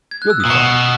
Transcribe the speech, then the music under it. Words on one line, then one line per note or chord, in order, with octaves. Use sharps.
"You'll be fine."
G#6
F#6
E6
D#6
A#2
B2 C#6